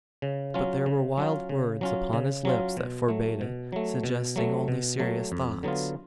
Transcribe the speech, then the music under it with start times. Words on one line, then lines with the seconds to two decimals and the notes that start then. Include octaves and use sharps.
But there were wild words upon his lips that forbade it--suggesting only serious thoughts.
0.22 C#3
0.54 F#3 C#4 F4
0.86 C#3
1.17 F#3 C#4 F4
1.49 C#3
1.81 F#3 C#4 F4
2.13 C#3
2.45 F#3 C#4 F4
2.77 B2
3.09 F#3 A3
3.41 B2
3.72 F#3 A3
4.04 B2
4.36 F#3 A3
4.68 B2
4.99 F#3 A3
5.32 F2
5.63 D3 F#3 B3 F4